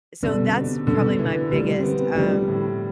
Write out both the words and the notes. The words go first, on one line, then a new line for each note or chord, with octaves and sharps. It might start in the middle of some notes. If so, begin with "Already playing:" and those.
so, that's probably my biggest, um
B2 D3 G3 B3 D4
B2
C3
B2 D3 G3 B3 D4
E3
D3 F3 G3 A3 D4
C4
B3
D3 F3 G3 A3 D4
A2